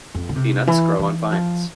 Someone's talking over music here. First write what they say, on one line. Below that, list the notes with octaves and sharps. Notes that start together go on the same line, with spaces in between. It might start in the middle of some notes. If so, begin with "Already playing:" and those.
Peanuts grow on vines.
F2
D3
C3
E3
E3
F3